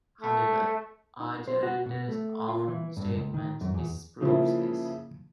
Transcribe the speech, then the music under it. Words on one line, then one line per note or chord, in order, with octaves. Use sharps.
However, Argelander's own statement disproves this.
A3
D#4
C5
F#4
B2
A3
F4
E3
G2
C#2
D#3
F#2
E2
C#3 F3 A#3 E4